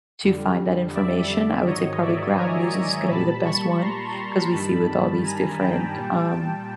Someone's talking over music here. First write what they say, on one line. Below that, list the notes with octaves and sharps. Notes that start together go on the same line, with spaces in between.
to find that information. I would say probably Ground News is gonna be the best one 'cause we see with all these different, um
F2 D3 G3
D5 E5
G#2 D#3 F#3 C#5 D#5
D5 E5
G#5 A#5
A#2 G3 A5 B5
B5 C#6
A#5 C6
A#5 C6
G2 D#3 G3 A5 B5
G#5 A#5
G5 A5
A#2 G3
G5 A5